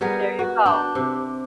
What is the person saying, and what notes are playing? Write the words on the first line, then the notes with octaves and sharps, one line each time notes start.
There you go.
G3 B3 G#4 A#4
F#4
D4 G5
C3